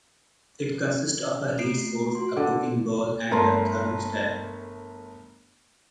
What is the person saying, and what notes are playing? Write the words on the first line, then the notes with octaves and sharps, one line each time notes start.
It consists of a heat source, a cooking bowl, and a thermostat.
A3 C7 D7
F#4 C6
D3
G1 A3 A#4 A#5 C6